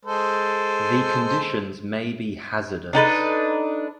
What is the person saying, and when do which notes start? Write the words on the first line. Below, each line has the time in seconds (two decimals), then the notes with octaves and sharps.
The conditions may be hazardous.
0.05 G#3 A4 C5
2.93 D4 D#4 A4 B4